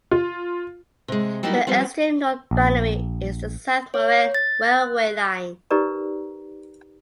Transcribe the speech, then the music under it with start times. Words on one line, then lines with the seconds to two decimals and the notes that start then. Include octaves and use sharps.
The extreme north boundary is the South Morang railway line.
0.11 F4
1.08 C3 G#3
1.43 F#3 G3 A#3 D#4 E4 F#4
1.67 F3 G3 B3 C4
2.51 A#1
3.94 C#5
4.35 A6
4.81 F#6
5.71 D#4 G4 A#4 B4 D5 A#5